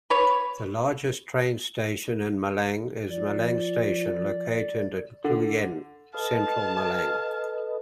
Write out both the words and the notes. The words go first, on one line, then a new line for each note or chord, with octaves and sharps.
The largest train station in Malang is Malang Station, located in Klojen, Central Malang.
B4 C#5
F3 D5
D3
A4 B4 D#5 F5 A5